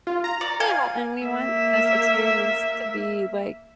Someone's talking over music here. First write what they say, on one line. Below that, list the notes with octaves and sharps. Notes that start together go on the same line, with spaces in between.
Yeah, and we want this experience to be, like
F4
A#5
D5
F5 G#5
A#3 E5